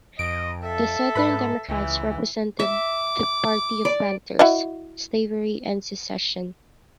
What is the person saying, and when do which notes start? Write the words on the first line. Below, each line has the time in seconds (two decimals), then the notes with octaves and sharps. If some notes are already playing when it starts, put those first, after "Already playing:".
The Southern Democrats represented the party of planters, slavery and secession.
0.19 F2 D#5 D7
0.62 A4 E5
1.15 G#2 B4 B5
1.69 C#2 E3
2.60 E5 D6
3.85 D5
4.39 E4 F#4 D#5